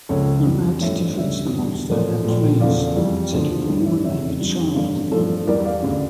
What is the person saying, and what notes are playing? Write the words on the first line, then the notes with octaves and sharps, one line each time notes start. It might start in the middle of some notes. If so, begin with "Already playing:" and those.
Murat defeats the monster and flees, taking the woman and the child with him.
C#2 C#3 F3 A4 C#5
F2 E3 G3
A1 G2 F3 A3 C#5 E5
E1 D2 C#3 G3 C#5 E5
E1 D2 D3 G3
A1 A2 F3 A3 A#4 D5
A#1 A#2 A3
E1 E2 C#3 F3 A3 D5 F5
F2 E3 G3
E1 D2 D3 F3 A3
A1 G2 E3 G3
C#5 E5
F1 E2 C#3 C#5 E5
F2 D3 G3
A1 G2 D3 A3 D5 F5
A1 G2 F3 A3 A4
E2 E3 G3 A#4 D5
D5 F5
D2 C#3